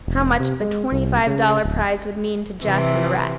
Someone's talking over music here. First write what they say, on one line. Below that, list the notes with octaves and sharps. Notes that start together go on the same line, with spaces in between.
How much the twenty-five dollar prize would mean to Jess and the rest!
F1
C3
G#3
C2
C#3
D1
C3 E3